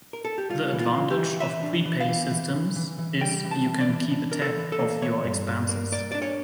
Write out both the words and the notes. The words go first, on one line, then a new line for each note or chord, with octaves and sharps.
The advantage of prepay systems is you can keep a tab of your expenses.
A#4
A4
G4
G3 F4
E3
F4
E3
G4
E3
E3 E5
D4
E3
F5
E3
E3
E3
E3
E3
G3 G5
E3
A5
E3
D5
E3
D4
E3 A#4
A4
E3
A4
A#3
E3 C#5
G2
G2
A#3
A#3 D5
D4 D5
C#5